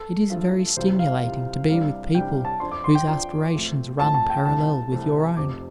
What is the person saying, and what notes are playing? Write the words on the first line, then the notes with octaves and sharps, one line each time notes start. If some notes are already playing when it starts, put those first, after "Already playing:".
It is very stimulating to be with people whose aspirations run parallel with your own.
Already playing: A4
G2 F3 A3 F4
C2 C3 G3 F4 C5
F5
C2 C3 G3 F4
C2 C3 G3 D4 F5
C2 C3 G3 D4 G5
A5
F2 F3 D4 C6
D6
C6
G5
F2 F3 D4
A2 F3 A3 C4
A2 F3 A3 C4 A5
A5
G5
C2 C3 A3 A5
C2 C3 A3
F1 F2 C3 D6